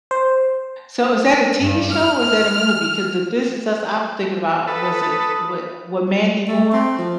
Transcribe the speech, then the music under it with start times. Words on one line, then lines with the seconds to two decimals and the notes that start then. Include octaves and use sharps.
So, is that a TV show or is that a movie? 'Cause the "This Is Us" I'm thinking about was a wa wa Mandy Moore
0.11 C5
1.61 G2
1.93 F6
4.68 A4 B4 D#6
6.48 A3
6.73 C4
6.98 F3